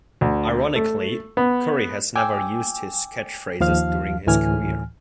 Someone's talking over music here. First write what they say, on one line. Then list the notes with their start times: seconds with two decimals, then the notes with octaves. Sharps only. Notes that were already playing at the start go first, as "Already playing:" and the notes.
Ironically, Curry has never used catchphrases during his career.
0.21 D2
0.76 A3
1.37 B3
2.16 G5 G#5 D6 E6
3.60 D#2 F3 F5 F6
4.27 D2 A2 E3 G#5 F6